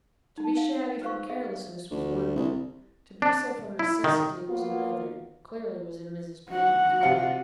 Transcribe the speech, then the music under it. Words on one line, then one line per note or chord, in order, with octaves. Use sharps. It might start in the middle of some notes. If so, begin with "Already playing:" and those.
To be shabby from carelessness was one thing--to be so from necessity was another, clearly was in Mrs. Pantin's mind.
D#4 A5
F5
B4 C5 F5 C#6
G#4 E5 F5
D2
C2
D4
E4
D#3
A#3 B3 F4 F#4
F#4 F#5
C3 F4 C#7